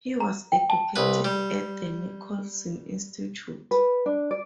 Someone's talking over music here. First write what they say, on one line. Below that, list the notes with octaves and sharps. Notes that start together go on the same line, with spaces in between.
He was educated at the Nicolson Institute.
A#5
G5
A5
C2 B4
G3
B4
D4
D5